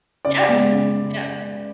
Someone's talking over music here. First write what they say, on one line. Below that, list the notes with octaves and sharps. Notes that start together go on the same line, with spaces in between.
Yes, yes.
C#3 D5
G#3 B3
C#3